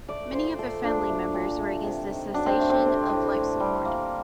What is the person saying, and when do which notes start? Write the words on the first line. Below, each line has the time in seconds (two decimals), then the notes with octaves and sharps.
Many of her family members were against the cessation of life support.
0.08 A3 D5
0.32 A#2 C5
0.59 A3 A4
0.84 A#2 D4
1.08 A3
1.33 A#2
1.59 A3
1.83 C3
2.09 D#3
2.34 F#3 D4
2.46 C4
2.59 A3
2.70 C4
2.84 C3
3.10 A2
3.34 A2
3.60 G3
3.85 A#3